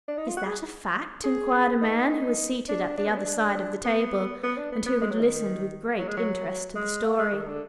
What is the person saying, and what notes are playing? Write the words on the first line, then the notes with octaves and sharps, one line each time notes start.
"Is that a fact?" inquired a man who was seated at the other side of the table, and who had listened with great interest to the story.
D4
D#4
F4
F#4
G#4
G#4
D#4
D4
D4
B3
D4
B3
B3
D4
B3
B3
G#3
F#3
D#3
F#3
G#3
F#3
G#3
A#3
G#3
D#3
D3